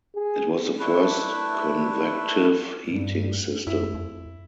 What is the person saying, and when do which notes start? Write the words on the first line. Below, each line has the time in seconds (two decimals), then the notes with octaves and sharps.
It was the first convective heating system.
0.15 G#4
0.80 A3 D4 E4 B4
2.86 G2
3.67 F#2 E4
3.94 F2